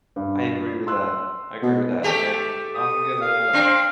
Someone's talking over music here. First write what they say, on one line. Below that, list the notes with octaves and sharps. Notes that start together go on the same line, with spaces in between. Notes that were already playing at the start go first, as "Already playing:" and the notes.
I agree with that, I agree with that. And I'm gonna
G2
C6 E6 F#6
B2
A3 G4 A4
D#6
F5
C4 D4